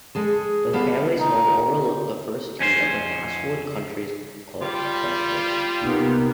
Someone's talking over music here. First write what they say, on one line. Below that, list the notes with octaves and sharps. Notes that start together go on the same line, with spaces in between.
The family's home overlooked the first tee of the Castlewood Country Club's golf course.
G#3 G#4 A4
G3 B3 A4 F5
D#4
F2 C#4 F4 C5
G3 F4
C3 A#3 B3 D#4 G4